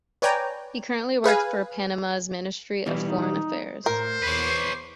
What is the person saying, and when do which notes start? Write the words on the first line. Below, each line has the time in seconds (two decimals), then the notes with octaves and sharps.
He currently works for Panama's Ministry of Foreign Affairs.
0.22 B4 C#5 D5 G5 G#5 A#5
1.24 G#4 B4 F5 G#5
2.86 B2 E3 G3
3.05 D#4
3.86 A2 A#4 C5
4.23 E2 B4 C#5 D6 C7